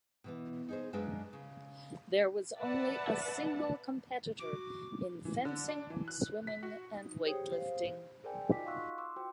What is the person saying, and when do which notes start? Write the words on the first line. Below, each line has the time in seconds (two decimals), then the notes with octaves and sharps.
There was only a single competitor in fencing, swimming, and weightlifting.
0.24 B2 E3 B3
0.69 D#4 G#4 C5
0.93 F#2 F#3 G#3 D4 B4 F5
1.33 C#3
2.59 B4 D5 E5 F#5 A5
4.39 F#4 D6
5.25 E3
5.45 D3
5.69 D4
5.90 E3
6.08 F#6
6.47 B6
6.63 F#4
6.94 D#4
7.25 G4 G#4 C5 C#5 G5 D#6
7.53 C5 F5
8.24 G#4 A#4 C5 D5 G5 G#5
8.49 D#4 F4 F#4 D#5 D6 B6
8.66 F5 F#5 C6 C#6 E6 F#6
8.98 C6 D6 E6
9.16 F4 F#4 C5 G5